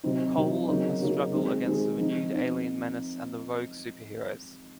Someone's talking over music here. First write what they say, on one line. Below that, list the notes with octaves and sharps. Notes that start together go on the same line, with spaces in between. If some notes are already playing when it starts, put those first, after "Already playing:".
Cole must struggle against the renewed alien menace and the rogue superheroes.
C3 F#3 C4 D#4
C3 F#3 C4 D#4
C#3 F#3 A#3 D#4
C#3 F#3 A#3 D#4
D#3 G#3 C4
D#3 G#3 C4
F3 C4 D#4
F3 C4 D#4